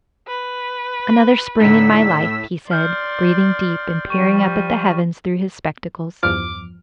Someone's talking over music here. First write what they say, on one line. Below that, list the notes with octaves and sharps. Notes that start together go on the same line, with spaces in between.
"Another spring in my life," he said, breathing deep and peering up at the heavens through his spectacles.
B4
A2 D3 D#4 E6 B6
D5 C6 F6 G6
F3 G3 C#6 D#7
E2 G2 F3 D6 F6